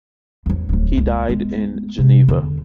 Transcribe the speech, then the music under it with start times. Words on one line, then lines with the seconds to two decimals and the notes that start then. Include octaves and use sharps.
He died in Geneva.
0.46 E2 F#3
0.69 D1 F#3
0.97 C#2
1.29 G#3 B3
1.98 C3
2.28 E2 D3